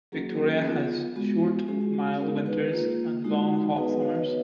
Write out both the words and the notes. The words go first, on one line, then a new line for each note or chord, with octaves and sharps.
Victoria has short mild winters and long hot summers.
F#3 A#3 C#4 F#4 G#4
F#4
G#4
B3 F4
G#3 B3 F#4
G#3 C#4 F#4 G#4
F#4
F#4
G#4
G#3 B3 D#4 F#4 A#4
G#4 B4
A#3 F4
G#3 D#4 F#4
B3 D#4 F#4 G#4 B4
B4 D#5
C#5 F5
B4 D#5
B3 F#4 B4